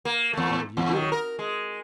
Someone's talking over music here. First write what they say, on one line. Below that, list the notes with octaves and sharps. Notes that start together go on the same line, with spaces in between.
"What'll you do?"
A#3
E2 A3
E2
D#3 F#3
A#4
G#3